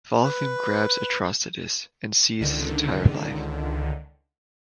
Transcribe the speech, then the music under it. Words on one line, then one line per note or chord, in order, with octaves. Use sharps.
Volthoom grabs Atrocitus and sees his entire life.
B4
C#2 D3 D#3